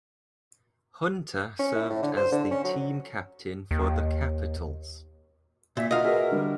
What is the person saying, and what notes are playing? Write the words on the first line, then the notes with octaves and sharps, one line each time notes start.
Hunter served as the team captain for the Capitals.
C#4
E4
A2
D3
C5
D3
C#4
F#3
D#2
A#2 E5
F4 F#4 A#4 D#5 F5
F#4 G#4 A#4 B4 E5
D3 G3